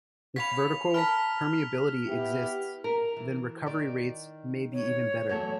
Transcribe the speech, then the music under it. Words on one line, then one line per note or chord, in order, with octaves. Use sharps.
If vertical permeability exists then recovery rates may be even better.
C#5 F5 B5 B6 F7
A#4 A5 B5 F6 B6
B3 E4 G4
A#4
E3
D#3 D5
C#5
E2 F#3 A3